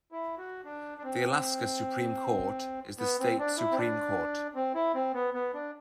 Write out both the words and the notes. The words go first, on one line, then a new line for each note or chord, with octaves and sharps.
The Alaska Supreme Court is the state supreme court.
E4
F#4
D4
D4
C4
B3
C4
D4
E4
C4
D4
C4
E4
C4
B3
B3
D4